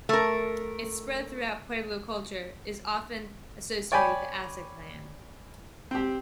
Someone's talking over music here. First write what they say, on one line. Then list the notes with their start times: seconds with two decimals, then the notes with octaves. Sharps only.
Its spread throughout Pueblo culture is often associated with the Asa clan.
0.09 A3 A#4
3.92 C#5 D5 G5 G#5 B5
5.91 C4 G4